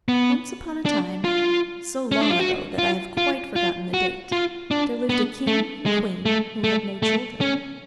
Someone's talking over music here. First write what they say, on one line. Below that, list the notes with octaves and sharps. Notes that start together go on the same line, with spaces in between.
Once upon a time, so long ago that I have quite forgotten the date, there lived a king and queen who had no children.
B3
D4
F4
C#4
D4
F4
F#4
F4
F4
F4
F#4
F4
D4
B3
A3
G#3
A3
A3
A3
C#4